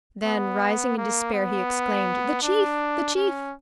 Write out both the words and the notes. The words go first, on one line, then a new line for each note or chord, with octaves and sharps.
Then rising in despair, he exclaimed, "The chief, the chief!"
B3
A#3
B3
D4
C#4